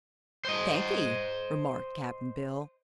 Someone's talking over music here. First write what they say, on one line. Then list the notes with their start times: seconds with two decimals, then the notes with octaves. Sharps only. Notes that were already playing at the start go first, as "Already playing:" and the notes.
"Thank'e," remarked Cap'n Bill.
0.45 C5 D#5